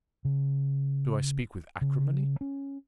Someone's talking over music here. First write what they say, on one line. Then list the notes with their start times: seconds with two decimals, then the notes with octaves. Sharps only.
Do I speak with acrimony?
0.25 C#3
1.81 C#3
2.41 C#4